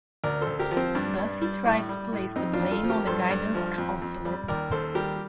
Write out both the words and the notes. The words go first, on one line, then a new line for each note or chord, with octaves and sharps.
Buffy tries to place the blame on the guidance counsellor.
D2 A#4 D5
A4 C5
D2
G4 A#4
F3
C4
G2 D4
G2
G3
A2
G3
A2
F2 C4 D#4
D4 F4
F2
F4 A4
F3
G4 A#4
G2 A4 C5
G2
F3
F2
F2
G3
D#2 A#4 D5
D#2 A4 C5
G3 G4 A#4